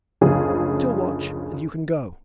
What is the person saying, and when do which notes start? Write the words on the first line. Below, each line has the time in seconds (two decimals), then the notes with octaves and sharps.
Til watch, and you can go.'
0.21 F#1 D2 C#3 F3 G#4